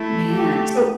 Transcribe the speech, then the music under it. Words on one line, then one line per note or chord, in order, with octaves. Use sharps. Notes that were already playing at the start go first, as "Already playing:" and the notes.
Man. So,
Already playing: A3 E4
G4